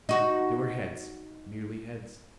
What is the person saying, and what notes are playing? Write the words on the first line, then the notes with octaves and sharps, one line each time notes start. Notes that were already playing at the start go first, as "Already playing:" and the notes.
They were heads--merely heads.
D#4 F#4